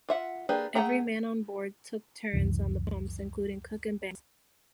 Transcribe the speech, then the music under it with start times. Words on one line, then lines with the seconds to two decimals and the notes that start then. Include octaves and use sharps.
Every man on board took turns on the pumps, including Cook and Banks.
0.09 F4 E5 F#5
0.49 A#3 D4 G4 G#4 B4
0.75 A3 G#4 F#5 G5 A#5
2.33 C#2 F#2 C3 E3